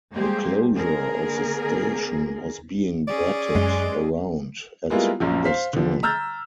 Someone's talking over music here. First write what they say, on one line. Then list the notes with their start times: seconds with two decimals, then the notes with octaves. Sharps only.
The closure of the station was being batted around at this time.
0.13 G3 G#3 A#3 G4 G#4 C5
0.73 D3 A#3 B3 G#4 A#4
3.08 C#4 G#4 D5
3.55 F#2 G#3
4.90 G3 G#3 A#3 B3 E4 F4
5.20 A#1 F#2 F3
5.45 C5 F5 B6
5.73 D3 F3
6.03 A#5 E6 F6 G6 A6